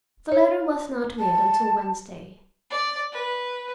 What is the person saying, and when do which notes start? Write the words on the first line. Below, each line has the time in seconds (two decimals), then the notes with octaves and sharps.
The letter was not mailed until Wednesday.
0.32 C#5
1.19 A5
2.70 D5
3.13 B4